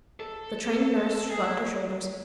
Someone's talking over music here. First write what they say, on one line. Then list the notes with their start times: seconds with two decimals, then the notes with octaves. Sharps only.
The Trained Nurse shrugged her shoulders.
0.20 A4
1.30 G#4
1.44 E4